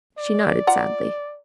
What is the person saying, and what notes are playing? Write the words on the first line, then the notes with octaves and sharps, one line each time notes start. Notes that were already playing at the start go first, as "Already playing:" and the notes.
She nodded sadly.
D5
F4 F#5 A#5